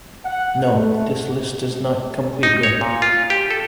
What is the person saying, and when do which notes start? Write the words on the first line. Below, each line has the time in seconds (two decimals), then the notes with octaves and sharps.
Note: This list is not complete yet.
0.25 F#5
0.74 A3
2.43 D#4
2.63 C#5
2.81 A#2
3.02 F4
3.30 G4
3.51 A4